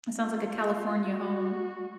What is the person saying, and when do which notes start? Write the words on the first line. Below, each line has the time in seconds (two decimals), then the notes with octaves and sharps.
It sounds like a California home.
0.23 F4
1.08 F#4